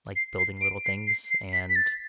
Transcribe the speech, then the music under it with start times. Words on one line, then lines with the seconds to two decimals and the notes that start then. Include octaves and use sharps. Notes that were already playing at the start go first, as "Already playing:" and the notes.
like, building little things, and
0.16 C7
0.39 C7
0.61 D7
0.85 C7
1.07 C7
1.30 C7
1.53 B6
1.69 B6
1.76 A6